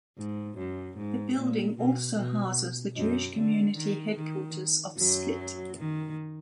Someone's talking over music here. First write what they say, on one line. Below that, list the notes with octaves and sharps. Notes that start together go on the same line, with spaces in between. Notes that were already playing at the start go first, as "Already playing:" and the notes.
The building also houses the Jewish community headquarters of Split.
G#2
F#2
G#2
A#2
B2
B2
F#2
D3
D#3
D#3
F#2 F#3
D#3